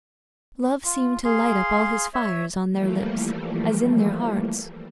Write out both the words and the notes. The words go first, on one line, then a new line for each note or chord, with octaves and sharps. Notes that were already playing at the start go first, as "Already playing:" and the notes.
Love seemed to light up all his fires on their lips, as in their hearts.
F4
G#4 F5 C6
C#5 E5
E3 F3 G3 A3 A#3